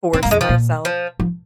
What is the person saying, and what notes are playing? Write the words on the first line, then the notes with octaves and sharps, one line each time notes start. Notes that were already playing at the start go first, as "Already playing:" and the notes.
force myself.
D#3 C4
G#2 A#3
F2 G#3
F3
A#2
F3
F3